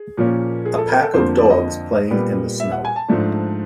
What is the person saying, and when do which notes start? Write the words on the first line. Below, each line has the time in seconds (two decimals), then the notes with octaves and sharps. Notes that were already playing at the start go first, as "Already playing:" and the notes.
A pack of dogs playing in the snow.
Already playing: G#4
0.17 A#2 F3 A#3 C#4
0.65 G#4
0.78 A4
0.90 A#4
1.02 A4
1.14 F2 D3 F3 A#3 C5
1.38 D5
1.50 D#5
2.11 A#2 G3 B3
2.60 E5
2.72 F#5
2.85 G#5
2.96 A5
3.08 G#2 F3 A3 D4